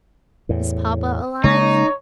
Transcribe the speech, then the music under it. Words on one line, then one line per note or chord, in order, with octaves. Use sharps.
Is papa alive?'
E2 A2
C#3 G#3 A#3 D#4 C#5